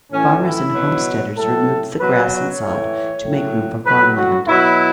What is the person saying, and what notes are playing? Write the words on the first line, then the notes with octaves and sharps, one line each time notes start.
Farmers and homesteaders removed the grass and sod to make room for farmland.
A2 E3 C#4
E4
B2 F#3
A2 F#3 A4
B2 F#3 B4
C#5
A2 E3
A2 F#3
A2 F#3 B4
F#4
B2 F#3 E4